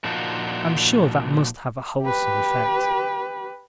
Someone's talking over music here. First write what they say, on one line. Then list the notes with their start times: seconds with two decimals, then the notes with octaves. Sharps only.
I'm sure that must have a wholesome effect.
0.04 A#2 F3 D4 D#4 F4 F#4
2.03 G4 B4